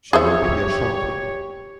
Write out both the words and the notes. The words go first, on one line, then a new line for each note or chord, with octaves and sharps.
She will be here shortly.
G4 G#4 C5 C#5 E5